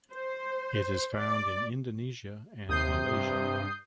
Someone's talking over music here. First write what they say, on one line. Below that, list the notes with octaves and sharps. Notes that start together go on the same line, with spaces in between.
It is found in Indonesia and Malaysia.
C5
D5
D#2 C3 D#6 G6 C7
G2